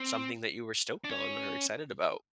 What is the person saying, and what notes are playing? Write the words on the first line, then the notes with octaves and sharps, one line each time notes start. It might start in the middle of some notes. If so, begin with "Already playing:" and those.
something that you were stoked on or excited about?
Already playing: C4
D4
C#4